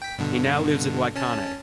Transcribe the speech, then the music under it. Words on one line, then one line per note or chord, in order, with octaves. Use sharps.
He now lives at Waikanae.
G5 B6
G2 B2 D3
C#4 A5